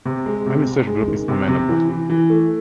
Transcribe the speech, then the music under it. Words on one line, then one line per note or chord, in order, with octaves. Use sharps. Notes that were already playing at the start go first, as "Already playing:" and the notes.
Any such group is amenable.
C3
G#3
C3
C3
G#3
D#3
C3
C3
E3
E3
E3
A3